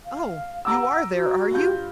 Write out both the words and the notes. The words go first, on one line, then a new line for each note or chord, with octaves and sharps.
Oh! you are there, are you?
F5
F#5 A#5 D6 E6
F#4
G2 F4 G6